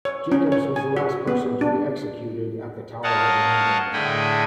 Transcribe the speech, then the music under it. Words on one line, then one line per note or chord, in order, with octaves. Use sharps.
Jakobs was the last person to be executed at the Tower of London.
C#5
C#4
C#5
G#5
F#4
B3
D4
A#4 C#5 D#5 F5 F#5 A5
A2 D3 G#4 D#5 G5 B5